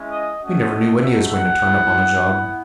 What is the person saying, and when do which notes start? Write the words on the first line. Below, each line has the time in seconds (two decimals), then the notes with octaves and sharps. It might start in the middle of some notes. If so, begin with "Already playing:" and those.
We never knew when he was going to turn up on a job.
Already playing: G#3 C#4 E4
0.11 D#5
0.42 A3 C#4 F#4 D#5
1.02 A3 D#4 F#4 E5
1.33 F#5
1.64 B3 E4
2.25 B3 E4